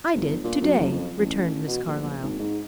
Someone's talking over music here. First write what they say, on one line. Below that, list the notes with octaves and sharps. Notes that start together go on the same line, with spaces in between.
"I did to-day," returned Miss Carlyle.
G1
A#2
F#2
F#1
F2
A1
B2
A#1
A#1
G#1
G#2